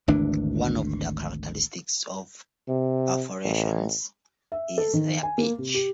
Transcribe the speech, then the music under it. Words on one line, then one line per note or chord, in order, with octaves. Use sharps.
One of the characteristics of perforations is their pitch.
G#1 D2 E3 D4
C3
A1
E5
A4
D#3
G#5
A#3
C3
G4